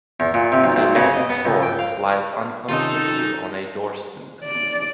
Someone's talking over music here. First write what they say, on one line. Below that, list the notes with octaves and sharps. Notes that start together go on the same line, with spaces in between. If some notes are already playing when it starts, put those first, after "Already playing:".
A man in shorts lies uncomfortably on a door stoop.
E2
A#2
C3
B1
B1
C#3
D#5
B3
C#2
G5
F5
C3 D#3 C#4 D#4 F4 A4 D#5
D5